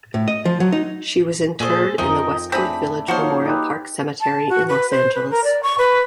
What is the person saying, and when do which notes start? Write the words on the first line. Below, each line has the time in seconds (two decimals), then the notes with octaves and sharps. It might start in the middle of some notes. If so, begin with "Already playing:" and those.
She was interred in the Westwood Village Memorial Park Cemetery in Los Angeles.
0.14 A2
0.28 D#5
0.45 F3
0.60 F#3
0.72 D#4
1.60 A#2 G#4 A4 C5 G#5
1.98 F2 F3 D#4 A#4 D#5 G5
2.52 A3 C4 D4 G#4 B5
3.08 F3 A#3 D#4 F#4 A4 C5 C#5
3.45 D#4 G4 B4
4.21 A5
4.49 F#4
4.69 B4
4.91 C5
5.15 B4
5.30 A#4
5.44 D5
5.63 C#6
5.78 B4